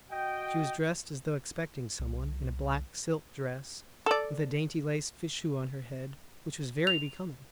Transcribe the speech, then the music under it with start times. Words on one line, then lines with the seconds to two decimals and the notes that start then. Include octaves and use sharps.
She was dressed as though expecting some one, in a black silk dress, with a dainty lace fichu on her head, which was very becoming.
0.10 F#4 D#5 G5
2.00 C2
4.06 A4 D5
6.87 F7